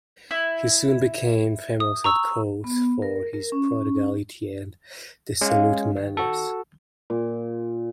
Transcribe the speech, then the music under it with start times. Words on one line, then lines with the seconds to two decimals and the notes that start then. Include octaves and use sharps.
He soon became famous at court for his prodigality and dissolute manners.
0.31 E4
1.80 D#6
2.04 A#5 C#6 E6
2.64 B3
3.02 A#4
3.33 A#4
3.52 C#4
5.41 G#3 C#4 G#4 F5
5.96 D#3
6.17 F#4 A4
7.10 A#2